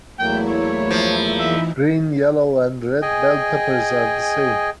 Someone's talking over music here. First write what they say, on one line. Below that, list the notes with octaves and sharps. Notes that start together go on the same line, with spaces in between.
Green, yellow and red bell peppers are the same.
E2 F#3 A3 A#3 E4 G5
C#5
F3
E3 D#4 E4 E5
G#4 D#5 G5 G#5